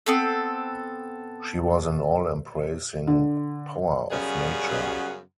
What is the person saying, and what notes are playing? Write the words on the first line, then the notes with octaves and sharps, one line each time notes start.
She was an all-embracing power of nature.
B3 C4 A4
D3
F#2 C#3 G3 B3 F#4 G#4